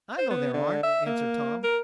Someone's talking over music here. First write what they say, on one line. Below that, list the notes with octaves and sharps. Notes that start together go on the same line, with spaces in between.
"I know there aren't," answered Tom.
C5
B3
D3
E5
A#3
A#4